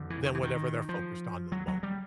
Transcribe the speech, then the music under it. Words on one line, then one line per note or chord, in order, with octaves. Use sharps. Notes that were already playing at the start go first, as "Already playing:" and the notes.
than whatever they're focused on in the moment.
Already playing: F2 D3
E3
D#3
E3
D#3
F3
F#3
F#3
G3